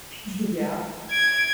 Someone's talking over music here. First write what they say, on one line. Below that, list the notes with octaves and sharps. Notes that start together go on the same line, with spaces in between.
Y yeah,
G#6 D7